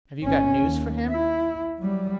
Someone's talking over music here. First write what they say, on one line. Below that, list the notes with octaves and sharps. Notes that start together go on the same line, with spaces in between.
"Have you got news for him?"
G1 C#4
D#2
E4
F#3 G3